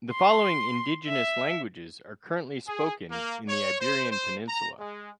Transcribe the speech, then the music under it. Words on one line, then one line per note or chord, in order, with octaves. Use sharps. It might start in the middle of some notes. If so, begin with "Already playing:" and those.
The following indigenous languages are currently spoken in the Iberian Peninsula.
C6
E5
G#4
A#3
C#5
C5
C5
A#5
G#3